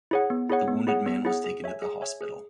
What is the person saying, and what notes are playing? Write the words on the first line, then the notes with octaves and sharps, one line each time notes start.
The wounded man was taken to the hospital.
E4 G#4 C#5 F#5
B3
E4 G#4 C#5 F#5
B3
E4 G#4 C#5 F#5
B3
E4 G#4 C#5 F#5
G#4
C#5 E5 G#5
G#4
C#5 E5 G#5
G#4